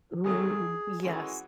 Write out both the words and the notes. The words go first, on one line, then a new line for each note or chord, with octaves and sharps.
Ooh, yes.
E2 C3 D#3 F#3 A3 G#4
E3 G#3 C#4 F#4